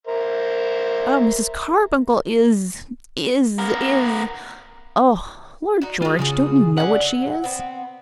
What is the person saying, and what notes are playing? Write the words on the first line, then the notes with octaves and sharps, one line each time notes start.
"Mrs. Carbuncle is--is--is-- Oh, Lord George, don't you know what she is?"
A#4 C5 E5
B3 A#4
D#4 F#4
G#3 F4 F#4
C#3 F4 F#4 G#4
D3 C#4 F#5
F#3
B3 C4